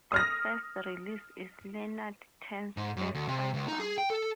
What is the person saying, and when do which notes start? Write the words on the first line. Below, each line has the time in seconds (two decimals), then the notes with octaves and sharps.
The first release is Leonard Tan's first album.
0.12 D#6 F6 A#6
2.77 G#2
2.97 F#2
3.15 D2
3.28 C3
3.54 C#2
3.68 D#4
3.80 G#4
3.98 G5
4.10 A4